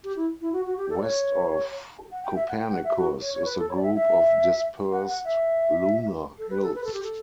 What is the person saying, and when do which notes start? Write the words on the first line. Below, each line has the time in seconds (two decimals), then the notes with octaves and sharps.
West of Copernicus is a group of dispersed lunar hills.
0.04 G4
0.16 E4
0.41 E4
0.53 F#4
0.66 F#4
0.77 G4
0.90 A4
0.98 D5
1.02 C#5
2.12 F#5
2.23 G5
2.35 E5
2.48 F#5
2.61 G5
2.72 F#5
2.84 E5
2.97 F#4
3.22 C#5
3.34 C#5
3.45 B4
3.58 A4
3.70 C#5
3.76 D5
3.83 E5
3.95 E5
4.92 F#5
5.08 F#5
5.25 E5
6.39 A4
6.50 B4
6.62 A4
6.75 B4
6.84 A4
6.94 G4
7.03 A4